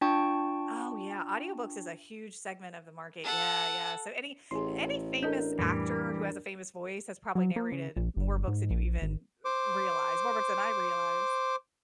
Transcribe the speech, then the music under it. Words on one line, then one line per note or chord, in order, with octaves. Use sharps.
Oh, yeah, audiobooks is a huge segment of the market, yeah, yeah. So any any famous actor who has a famous voice has probably narrated more books than you even r realize, more books than I realize.
D4 F4 G5 A5 C#6
A4 F#5
A1 G#4 C6
D4 A4 A#4 D#5 G6
F2 A2 E3 G3 A3
F#3
A#3
C#3
A#1
G1
G#2
A#1
G#1
C5 D6